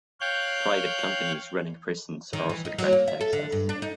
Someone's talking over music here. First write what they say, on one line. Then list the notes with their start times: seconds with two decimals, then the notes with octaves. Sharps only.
Private companies running prisons are also granted access.
0.21 C#5 F5 G5 F#6 G6
2.33 D#3
2.49 E3
2.65 D#4
2.79 F#3
2.93 A#3
3.08 E5
3.21 A4
3.33 D3
3.52 G2
3.69 D4
3.82 D#4